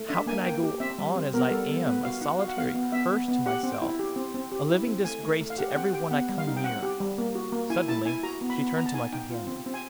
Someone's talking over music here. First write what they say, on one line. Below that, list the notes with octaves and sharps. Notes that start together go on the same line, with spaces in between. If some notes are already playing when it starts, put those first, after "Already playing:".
'How can I go on as I am, a solitary curse to myself, a living disgrace to everyone I come near!' Suddenly she turned to my companion.
Already playing: A3
D4 E5
A#3 G#5
A#3 G5
G4
C4 E5
G3
C4
B3 A#4
G3 A4
B3 A4
B3 B4
F#4 F5
D#4 F#5
F#4 F5
F#5
B3 F5
B3
B3 E5
B3
B3
G4 F#5
C4
G5
E4
G4
C4
C4
G4
E4
C4
A3 G#5
A3
A3
F5
G4 F#5
G5
C4 F#5
G4 G5
B3 F#5
G3
F5
D#4
G5
C4 F#5
G4
G3
A#3
F#4
A#3
E4 G#5
E4 A5
E4 G#5
F#4 A#5
B3
B5
B3
B5
B3 A#5
A5
D#4 G#5
D#4 G5
F4
C4
C4
G#5